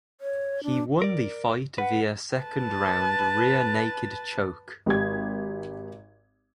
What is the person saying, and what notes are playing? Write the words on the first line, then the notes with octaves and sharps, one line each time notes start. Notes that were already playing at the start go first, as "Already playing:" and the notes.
He won the fight via second round rear-naked choke.
C#5
D4
A#4 D5
B4 F#5
B4 A5
G#1 G4 G#6